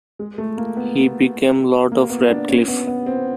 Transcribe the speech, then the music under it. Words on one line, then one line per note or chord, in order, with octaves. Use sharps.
He became Lord of Radcliffe.
G#3
A3
A#3
B3
A#3
B3
D4
C#4
B3
B3
C4